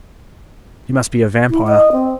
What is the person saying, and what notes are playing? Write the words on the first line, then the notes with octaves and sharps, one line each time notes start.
"He must be a vampire."
E4
D#5
C4